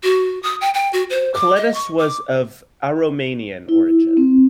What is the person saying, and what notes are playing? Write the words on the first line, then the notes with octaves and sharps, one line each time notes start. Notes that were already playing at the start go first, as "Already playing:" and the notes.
Kolettis was of Aromanian origin.
F#4
D#6
G5
G5
F#4
C5
D6
D#5
C#6
D6
E4
C4